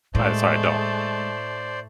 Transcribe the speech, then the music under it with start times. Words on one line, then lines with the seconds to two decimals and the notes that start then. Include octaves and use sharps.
Alright, sorry, I don't.
0.15 A2 G#3 A3 C5 D5